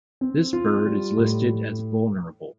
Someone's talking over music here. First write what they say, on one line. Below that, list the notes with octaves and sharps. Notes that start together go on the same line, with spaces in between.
This bird is listed as vulnerable.
C4
F4
G3
A2